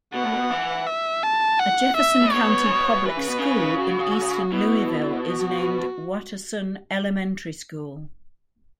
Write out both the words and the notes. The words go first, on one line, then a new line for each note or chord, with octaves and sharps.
A Jefferson County Public School in eastern Louisville is named Watterson Elementary School.
B2 F#5
A2
B2
E3
E5
A5
F#5
E5
A2
B2 C#5
C#3
B2
E3 B4
C#3
B2
C#3
F#4
B2 E4
F#4